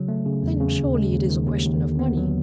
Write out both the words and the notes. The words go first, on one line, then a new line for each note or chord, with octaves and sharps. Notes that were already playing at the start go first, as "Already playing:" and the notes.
"Then surely it is a question of money."
Already playing: C#3 F#3
A3
C#3
E2
C#3
D#2
G#3
D#2
D#3
D#2
D#2
D3
B3
F#3